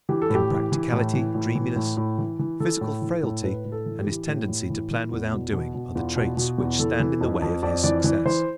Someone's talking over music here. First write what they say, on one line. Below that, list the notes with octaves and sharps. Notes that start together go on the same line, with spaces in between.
Impracticality, dreaminess, physical frailty and his tendency to plan without doing, are the traits which stand in the way of his success.
E3 G4
A4
A2 G4
E3
E3
A2
E3
A2
E3
A2
A2
E3
E3
E3 A4
A2
E3
A2
A2 B4
A2
A4
E3
G4
E3
A2
A2
E3
E3
E2
B2
B2
B2
E2 F4
B2
B2
E2
E3 A4
E3
F2
F2
F2 D5
E3 D5
E3 D5
E3 C5